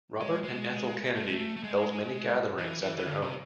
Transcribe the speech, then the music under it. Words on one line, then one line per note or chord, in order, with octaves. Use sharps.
Robert and Ethel Kennedy held many gatherings at their home.
G#3
G#3
A3
G#3
A3
A3
G#3
E3
E3
E3
D3
C3